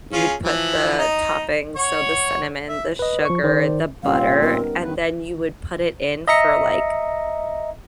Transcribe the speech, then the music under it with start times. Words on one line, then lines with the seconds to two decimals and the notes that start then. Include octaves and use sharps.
you would put the toppings; so the cinnamon, the sugar, the butter, and then you would put it in for, like,
0.12 C#4 F4 G#4
0.43 E3 F3 B4
0.99 D#4 D#5
1.76 C#5 F#5 C#6
2.68 E5
2.99 B4 D#5
3.25 F3 C#6
3.44 D#3 C5 D5
4.03 A#2 G3 C4 C#4 G4 F5
4.42 B3 D#4 A#4
4.83 D#3 B4
6.28 D#5 E5 A#5 A#6 C#7